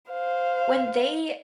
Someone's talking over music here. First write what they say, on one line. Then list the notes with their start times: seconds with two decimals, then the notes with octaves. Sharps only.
when they
0.11 C5 F5